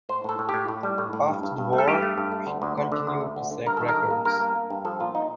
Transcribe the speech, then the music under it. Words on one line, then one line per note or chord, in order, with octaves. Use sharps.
After the war, she continued to set records.
A2 C5
A2 A4
A2
G4
A2
A2
G3
A2
A2
G2
G2
G2
A3
A4
G2 G4
A3
G2
A3
D2
D2
D2
D3
D2
A3
D2
D3
G2 A#4
D#3 A4
A#4
G2
A#3
G2 A#4
A#3
A#3
G2
F3 A4
A#2 F4
A#2 D#4